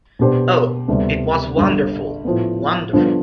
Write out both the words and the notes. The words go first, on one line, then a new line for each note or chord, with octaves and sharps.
Oh, it was wonderful — wonderful.
B2 B3 D4 G4 C5
D2 C3 G3 B3 D4
G1 G2 D3 G3
A2 F3 B3
G2 D3 F3 B3 D4